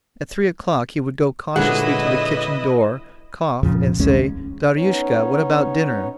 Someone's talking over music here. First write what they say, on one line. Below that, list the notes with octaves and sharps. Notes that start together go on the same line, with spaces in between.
At three o'clock he would go cautiously to the kitchen door; cough, and say, "Daryushka, what about dinner? . ."
A#2 D3 F#3 G#3 E4 B4 D#5 F#5
F2 A#2 C#3 F3
A#1 D#2 G#3 C#4
B3 C#4 D#4 C#5